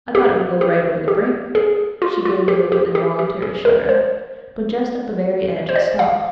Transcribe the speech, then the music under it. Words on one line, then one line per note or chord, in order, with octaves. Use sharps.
I thought it would go right over the brink"--she gave a little involuntary shudder--"but just at the very edge it stopped.
G4
G4
G4
G#4
F4
F4
G4
G4
G4
G4
G#4
A#4
C5
C5
D5
F5